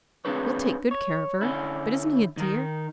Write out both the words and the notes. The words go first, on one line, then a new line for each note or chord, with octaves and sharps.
We'll take good care of her. But isn't he a dear?
C4 D4 G#4 B4 C#5
C#5
D3 C#4 E4
D#3 A#4